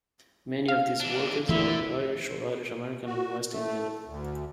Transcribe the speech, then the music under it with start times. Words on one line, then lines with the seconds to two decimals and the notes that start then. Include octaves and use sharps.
Many of these workers are Irish or Irish American and West Indian.
0.68 F5
1.00 E3 D4
1.49 D3 E3 A3 B3 E4
3.06 F#4
3.53 A3
4.07 D2